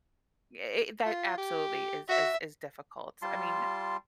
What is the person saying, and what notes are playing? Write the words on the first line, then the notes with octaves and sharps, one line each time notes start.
it it that absolutely is is is difficult, I mean,
F4
G4
F#4 E5
G3 F4 A5 C6